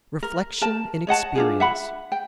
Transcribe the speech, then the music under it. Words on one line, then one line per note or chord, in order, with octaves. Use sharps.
Reflection in Experience.
A#4
A#4 A5
C#5 D#5 F#5 A5
D4 F4 G#4
E5 F#5 B5
G5